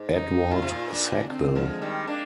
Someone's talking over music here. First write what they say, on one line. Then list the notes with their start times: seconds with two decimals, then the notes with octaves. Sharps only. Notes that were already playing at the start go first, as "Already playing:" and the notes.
Edward Sackville.
Already playing: G#2
0.13 D#4
0.51 A#2 F4
0.62 C3
0.72 A#2
0.91 D4
1.29 D3 C4
1.55 D3 F3
1.69 G#3
1.81 D#3 G3
2.07 A#3 D4